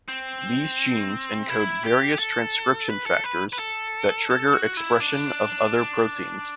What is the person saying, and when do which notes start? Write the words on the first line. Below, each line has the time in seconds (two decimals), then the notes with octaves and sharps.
These genes encode various transcription factors that trigger expression of other proteins.
0.08 C4
1.49 E4
1.83 G4
2.19 A4
2.90 B4
3.06 A4
3.24 B4
3.53 B4
3.59 A4
4.30 A4
4.53 F#4
4.77 E4
5.00 D4